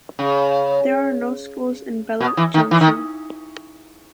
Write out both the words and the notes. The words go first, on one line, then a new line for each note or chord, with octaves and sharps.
There are no schools in Bella Junction.
C#3
B2
E3
D#3
E3
D#3